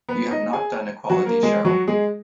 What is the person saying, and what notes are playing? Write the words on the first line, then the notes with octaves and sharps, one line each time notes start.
You have not done a quality show.
B3 B4
D#4 D#5
G#4 G#5
F#3 F#4
A#3 A#4
G#3 G#4
F#3 F#4
G#3 G#4